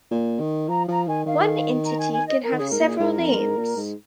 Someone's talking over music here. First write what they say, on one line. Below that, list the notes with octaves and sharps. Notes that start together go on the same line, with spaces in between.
One entity can have several names.
A#2
D#3
F3 A#5
F3 A#5
D#3 G#5
D#3 F5
A#5
G#5
G#5
D#5
A#4
D#3
C#3 G#4
G#2 A#4
A#2 G#4
G#2 A#4
F2
F2
G#2
A#2
G#2